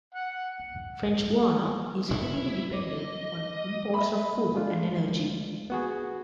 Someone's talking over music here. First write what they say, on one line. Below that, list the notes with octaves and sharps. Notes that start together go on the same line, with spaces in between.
French Guiana is heavily dependent on imports of food and energy.
F#5
E4
D#5 D6
D#5 E5 B5
G#3 A3 D4 F4
B3 F#4 G#4